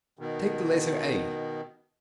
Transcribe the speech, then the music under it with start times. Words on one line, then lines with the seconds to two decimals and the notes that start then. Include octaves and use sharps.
Take the letter a.
0.19 B2 D#3